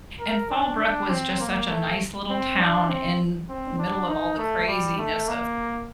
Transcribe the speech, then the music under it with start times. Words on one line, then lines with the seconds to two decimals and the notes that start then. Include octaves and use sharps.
and Fallbrook was just such a nice little town in the middle of all the craziness of
0.20 A#4
0.50 D4
0.80 D4
1.10 C4
1.40 A#3
1.69 A3
2.30 C4
2.59 D4
2.89 C4
3.49 C4
3.78 D4
4.08 D#4
4.38 A3
4.67 G3
4.98 A3
5.28 A#3